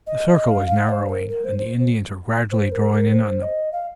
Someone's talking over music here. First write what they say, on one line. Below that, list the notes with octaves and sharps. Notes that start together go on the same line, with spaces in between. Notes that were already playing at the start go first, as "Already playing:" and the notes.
The circle was narrowing, and the Indians were gradually drawing in on them.
D#5
D#5
F5
F5
C5
A#4
A#4
C5
C5
C5
A#4
A#4
C5
D#5
F5